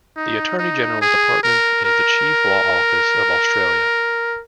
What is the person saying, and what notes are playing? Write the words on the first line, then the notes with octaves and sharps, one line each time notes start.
The Attorney-General's Department is the chief law office of Australia.
D#4
D#4
G#4
A#4
A#4